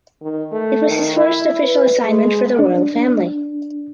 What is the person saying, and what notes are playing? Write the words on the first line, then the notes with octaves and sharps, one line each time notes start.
It was his first official assignment for the royal family.
D#3
A3
D#3
E4
B4
G#3
D4